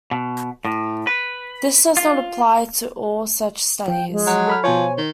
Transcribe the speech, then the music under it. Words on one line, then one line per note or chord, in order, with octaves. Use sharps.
This does not apply to all such studies.
B2
A2
B4
F4
F3 G5
G#3
F#3
A4 B5 F6
B2 F3 C5 C#5 G#5
D#3